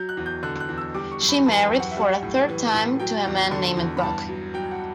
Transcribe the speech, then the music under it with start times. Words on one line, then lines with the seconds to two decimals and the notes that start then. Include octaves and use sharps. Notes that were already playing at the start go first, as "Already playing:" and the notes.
She married for a third time to a man named Buck.
Already playing: F#3 G6
0.09 F#6
0.17 E2
0.26 G6
0.43 D3 F#6
0.60 F#6
0.69 E2
0.78 E6
0.94 G3 D6
1.12 C#6
1.21 F#2
1.29 B5
1.46 E3 A5
1.63 G5
1.72 F#2
1.80 F#5
1.91 E5
1.97 G3 F#5
2.23 A2
2.49 E3
2.74 A2
3.00 F#3 G5
3.26 E2
3.51 D3
3.77 E2
3.97 B5
4.03 G2 A5
4.29 F#3
4.54 F#3 G5
4.71 F#5